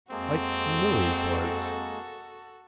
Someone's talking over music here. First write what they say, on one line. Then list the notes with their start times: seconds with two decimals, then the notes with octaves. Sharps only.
Like Milly's was.
0.11 F2 G#3 A#3 C4 F#4 A4